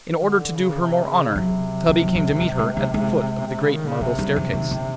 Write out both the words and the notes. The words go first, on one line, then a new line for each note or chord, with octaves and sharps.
In order to do her more honour, Tubby came to meet her at the foot of the great marble staircase.
D#3
D3
C#3
C3
C#3
C#3
C3 F#3
F3
F#3
F#3
G#3
G3
G#3
G#3
G#3
C3
C#3
D#3
C#3
C3 G3
G3
E3
D#3
D3